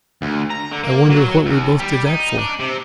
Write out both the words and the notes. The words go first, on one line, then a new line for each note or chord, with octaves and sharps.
"I wonder what we both did that for?"
D2
A#5
D3
A#3
F#3
D#2
G3
D#4
D4
C3